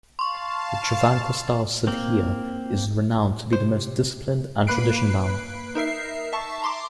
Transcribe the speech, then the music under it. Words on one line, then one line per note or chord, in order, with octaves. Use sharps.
The Travancore-style sadhya is renowned to be the most disciplined and tradition-bound.
F5 A5 C6 C#6
A#3 C4
C3 C5
A#3 B4 B5 F#6 C7 D7
D#4 A#4 E5 C7
E5 A5 C#6
A#5 C6 D6